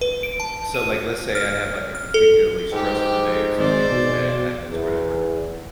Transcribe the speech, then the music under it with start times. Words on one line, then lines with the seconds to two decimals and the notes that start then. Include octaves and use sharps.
so, like, let's say I have, like, a particularly stressful day or something, just, bad happens, whatever.
0.01 B4
0.23 D7
0.40 A5
0.74 D#7
1.35 F6
1.95 F6
2.14 A4
2.73 G#2 G4 G5
3.58 G#1 C5 D5
3.90 B2
4.72 E2